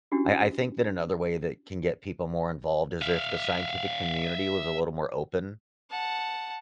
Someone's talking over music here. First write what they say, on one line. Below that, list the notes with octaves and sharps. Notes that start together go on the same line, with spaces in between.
I I think that another way that can get people more involved is if the scientific community was a little more open,
C#4 D4 E4 F#4 G4
E5 F5
F#5 A5